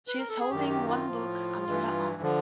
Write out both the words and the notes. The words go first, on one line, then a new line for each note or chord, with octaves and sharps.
She is holding one book under her arm.
B4
A#4
A4
G#4
F#2 D#3 G4
G4
F4
A2 F3
G2 E3
D3 F3